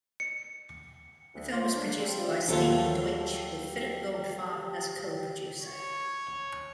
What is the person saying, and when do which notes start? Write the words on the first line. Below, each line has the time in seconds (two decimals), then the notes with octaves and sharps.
The film was produced by Stephen Deutsch, with Phillip Goldfarb as co-producer.
0.20 C#7
1.35 D2
1.53 A#3 C#4 F4 C5
1.77 A3 A#3 C#4 D4
1.99 G3 C4
2.19 C3 F3 G3 C#4 F4
2.48 D#2 F3 F#3 A3 F4 G4 A4
5.60 C#5